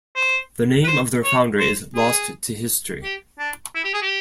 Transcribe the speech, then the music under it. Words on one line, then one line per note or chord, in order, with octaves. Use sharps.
The name of their founder is lost to history.
C5
B4
C5
C#5
C5
G#4
G4
D4
E4
G4
G#4
G4